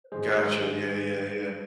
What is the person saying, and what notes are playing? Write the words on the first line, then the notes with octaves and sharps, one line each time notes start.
Gotcha, yeah, yeah, yeah.
G#2 D#3 G#3 G#4 C5